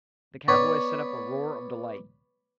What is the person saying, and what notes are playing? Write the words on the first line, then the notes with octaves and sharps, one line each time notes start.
The cowboys set up a roar of delight.
B3 C#5 D5 B5